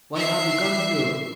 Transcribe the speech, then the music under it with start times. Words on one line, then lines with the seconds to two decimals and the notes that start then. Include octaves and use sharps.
Why have you come here?
0.15 E5 C7